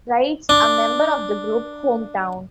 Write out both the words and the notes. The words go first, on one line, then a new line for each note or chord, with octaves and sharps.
Wright's, a member of the group, hometown.
D4